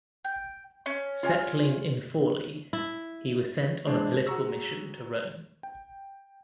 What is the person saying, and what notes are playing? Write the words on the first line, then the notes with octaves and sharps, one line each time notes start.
Settling in Forli, he was sent on a political mission to Rome.
G5
C#4
F4 C#5 G#5
E4
E3 G#3 D4 C5
F#4 G#4 A#5 C#6 E6
G5